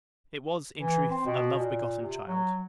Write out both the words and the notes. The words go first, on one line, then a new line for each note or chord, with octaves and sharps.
It was, in truth, a love-begotten child!
E3
C4
B2
A#2
C3
F#3